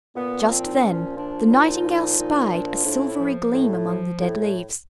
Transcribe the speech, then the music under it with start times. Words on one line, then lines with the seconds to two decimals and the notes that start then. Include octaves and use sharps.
Just then the Nightingale spied a silvery gleam among the dead leaves.
0.15 A#2 B3
0.48 F3 C4
0.62 D#4
0.73 D4
0.82 A#2 C#4
1.16 F3 D4
1.50 A#2 D#4
1.84 F3
2.18 A#2 D#4
2.51 F3 D4
2.85 A2 D4
3.07 E4
3.19 F3
3.52 A2
3.86 F3
4.20 A2